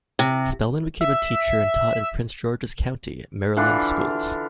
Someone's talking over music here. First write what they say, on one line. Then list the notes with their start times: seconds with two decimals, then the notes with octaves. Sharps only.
Spellman became a teacher, and taught in Prince George's County, Maryland, schools.
0.19 C3
1.01 E5
3.57 D3 E3 D4 F4